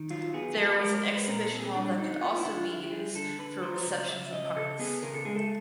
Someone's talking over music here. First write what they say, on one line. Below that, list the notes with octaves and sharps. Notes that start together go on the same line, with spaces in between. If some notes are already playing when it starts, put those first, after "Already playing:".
There was an exhibition hall that could also be used for receptions and parties.
Already playing: D#3
F#3 F4
B3 G#4
F#3 A4
B4
G#3 A#4
C#5
G#3 C5
B4
A#2 A#4
A4
C4
G#4
G3 D4
D3 D#4
B3 F4
E4
D3 F4
D3 E4
G4
G3 G#4
D3 A4
D3 B4
F#3 C5
C#5
C#3
D5
C#3 E5
C#3 D#5
C#3 A4
B3 G#4
C#3 A#4
A4
G#3 G#4
A4